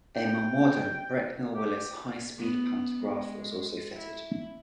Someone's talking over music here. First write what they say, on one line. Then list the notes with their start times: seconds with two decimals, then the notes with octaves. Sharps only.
A more modern Brecknell Willis high speed pantograph was also fitted.
0.16 G5
1.54 G4
2.38 B3
2.99 G#3
3.94 E4